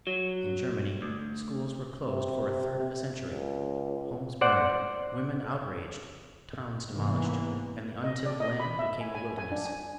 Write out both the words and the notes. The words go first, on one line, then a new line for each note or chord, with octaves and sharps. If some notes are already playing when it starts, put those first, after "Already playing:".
In Germany schools were closed for a third of a century, homes burned, women outraged, towns demolished, and the untilled land became a wilderness.
F#3
D2
C3
C#2
C5 D5 F#5
G#2 C3 E3 A#3 B3
D#5
D5
D#5
B5
E5
G#5
G#5
G#5
D4
G#5